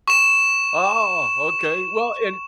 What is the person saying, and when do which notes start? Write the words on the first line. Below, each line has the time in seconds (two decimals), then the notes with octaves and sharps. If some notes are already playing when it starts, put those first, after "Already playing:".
Oh, okay, well and
0.08 C#6 E7